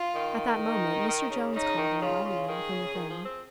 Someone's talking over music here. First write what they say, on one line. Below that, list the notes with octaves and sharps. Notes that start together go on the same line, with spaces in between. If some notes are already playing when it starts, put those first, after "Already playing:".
At that moment Mr. Jones called him by name from within.
Already playing: F4
D#3
D#4
D#3
C#3
C#3 D#4
D#3
C#3 F4
C#3
D#3 G#4
C#3
D#3
F3
C4